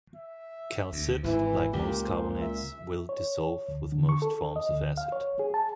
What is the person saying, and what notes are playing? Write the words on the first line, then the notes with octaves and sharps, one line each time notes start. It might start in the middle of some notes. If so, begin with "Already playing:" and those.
Calcite, like most carbonates, will dissolve with most forms of acid.
E5
D2
G#1 E3 E4
C#2 A#2 G4
C5
E5
C#5
D2
D3
C#6
A4
D#5
D2
F5
C#5
G#4
A5